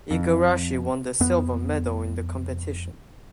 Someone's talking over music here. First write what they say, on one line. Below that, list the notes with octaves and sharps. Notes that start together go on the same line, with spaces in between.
Igarashi won the silver medal in the competition.
F2
F2 B3